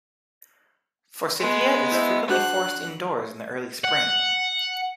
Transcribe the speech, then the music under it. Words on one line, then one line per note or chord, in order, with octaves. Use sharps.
Forsythia is frequently forced indoors in the early spring.
G#3 B3
E4 C5 D#5
D4 F#4 C5 F#6
F#5